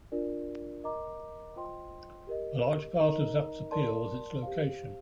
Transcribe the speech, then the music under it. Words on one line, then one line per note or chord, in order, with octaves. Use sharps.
A large part of The Zap's appeal was its location.
D4 F4 A#4 D5
A#4 D#5 A#5 D6
F4 C5 D#5 G5 C6
G4 A#4 D#5
D#4 A#4 D#5 A#5
A#4 D5 A5 C6
G4 C5 F5